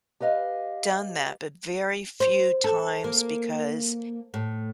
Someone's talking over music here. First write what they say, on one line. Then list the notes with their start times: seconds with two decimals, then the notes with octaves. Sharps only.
done that but very few times because
0.20 G4 B4 D#5 F5
2.20 C5
2.64 A4
3.04 A#3
4.34 A2